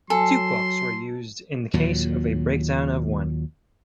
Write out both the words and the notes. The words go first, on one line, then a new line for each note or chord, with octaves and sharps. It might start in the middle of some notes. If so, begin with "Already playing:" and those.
Two clocks were used in case of a breakdown of one.
F#3 A4 G#5 A5 C6
D#2 A#2 F#3